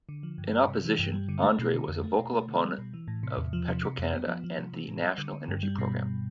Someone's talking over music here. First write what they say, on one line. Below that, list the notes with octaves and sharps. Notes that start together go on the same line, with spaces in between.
In opposition, Andre was a vocal opponent of Petro-Canada and the National Energy Program.
D3
F3
G2
G3
C3
E3
G2
G3
D3
A3
B2
D3
F2
A3
B2
A3
D3
G3
B2
E3
A2
C3
E2
F3
C3
C3
F2
B3
F3
F3
C3
E3
A2
G3
D3
D3
G2
G3
B2